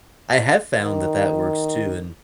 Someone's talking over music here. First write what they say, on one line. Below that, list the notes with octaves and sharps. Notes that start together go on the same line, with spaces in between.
I have found that that works too, and
D#3